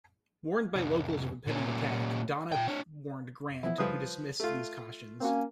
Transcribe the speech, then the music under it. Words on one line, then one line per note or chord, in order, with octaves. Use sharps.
Warned by locals of impending attack, Donop warned Grant, who dismissed these cautions.
C2 F2
A#2 C#4
A#2 G5
D4 C#5
E3 F3 B3 E4
C#3 F3 G3 B4 D#6
A3 F4
A#3 C4 C#4 F#4